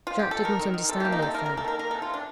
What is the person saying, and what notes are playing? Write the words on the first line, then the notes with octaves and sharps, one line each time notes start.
Jacques did not understand the affair.
F4
G4
A4
D#3 A#4
D#3
D#3
C3 A4
A#3 G4
D#4
C3 A4
A#3 A#4
A#3 A#4
A4
D#3 A#4
A#3 A#4
C3 A4
F4
C3 D4